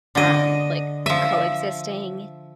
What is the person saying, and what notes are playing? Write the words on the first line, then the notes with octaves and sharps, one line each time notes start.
um, like, coexisting.
D3 D#5
F3 E5